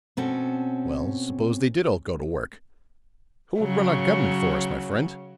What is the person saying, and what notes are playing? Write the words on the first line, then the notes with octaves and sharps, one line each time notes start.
"Well, suppose they did all go to work; who would run our government for us, my friend?"
B2 C4 C#4 A4
C#3 F#3